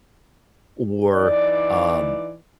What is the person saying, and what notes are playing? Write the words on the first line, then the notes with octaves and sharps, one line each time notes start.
or, um,
E3 D#4 D5